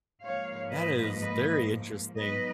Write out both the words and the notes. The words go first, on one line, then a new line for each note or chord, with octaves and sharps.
That is very interesting.
G#2 F3 A#3 C#5 F5
B4 D#5
B4 D#5
G#2 F#3 B3 D#4 B4 D#5